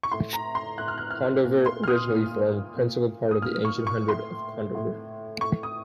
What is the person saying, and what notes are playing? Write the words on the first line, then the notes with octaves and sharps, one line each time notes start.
Condover originally formed a principal part of the ancient Hundred of Condover.
C#6
A2 C6
A#5
C6
A2 F#6
F6
F#6
F6
A#2
C6
F6
D#6
A#2
A#2
D#6
A#2 F6
C#6
C#6
A2 C6
A2
A2 C#6
D#6